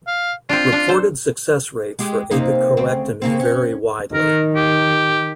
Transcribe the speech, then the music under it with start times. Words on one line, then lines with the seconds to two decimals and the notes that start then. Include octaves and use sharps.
Reported success rates for apicoectomy vary widely.
0.07 F5
0.49 C4 D4 F4
0.72 D4
0.89 A4 C5
1.99 G#3 G4
2.31 C3 A#3 D#4
2.77 D2 C#3 C4
3.22 C#3 A#3 C4
3.40 C#4
4.14 D#3 A#4
4.56 G4